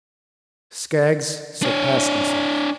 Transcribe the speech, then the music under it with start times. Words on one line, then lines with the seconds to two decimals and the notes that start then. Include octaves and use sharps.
Skaggs surpassed himself.
1.63 D4 C#5